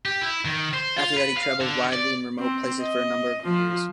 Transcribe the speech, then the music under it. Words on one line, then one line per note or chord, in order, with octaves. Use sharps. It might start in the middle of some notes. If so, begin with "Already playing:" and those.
After that he travelled widely in remote places for a number of years.
G4
E4
D#3
C5
F4
B4
F5
D3
D5
C4
D#5
F3